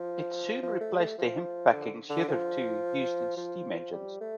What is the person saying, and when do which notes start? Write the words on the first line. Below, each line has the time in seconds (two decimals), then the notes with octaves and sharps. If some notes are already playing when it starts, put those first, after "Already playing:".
It soon replaced the hemp packing hitherto used in steam engines.
Already playing: F3
0.62 F3
0.81 A3
0.95 G3
0.99 A3
1.18 F3
1.73 D3
2.09 D3
2.28 F3
3.37 F3
3.92 G3
4.21 A3